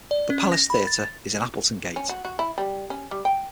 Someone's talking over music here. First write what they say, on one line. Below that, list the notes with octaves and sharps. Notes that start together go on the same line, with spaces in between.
The Palace Theatre is in Appletongate.
D5
C#4
A#6
B5
A6
C#4
F#4
F#4
E4
G3
C#4
G3
G5